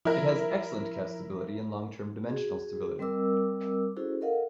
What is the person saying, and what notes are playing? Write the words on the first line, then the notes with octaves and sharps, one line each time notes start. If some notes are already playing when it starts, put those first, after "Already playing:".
It has excellent castability and long term dimensional stability.
F3 E4 A#4
F#4 G#4
G3 C4 A#4 D#5 D6 E6
C#4 E4 F#4 G#4 A4 C5
A4 A#4 D#5 F5 F#5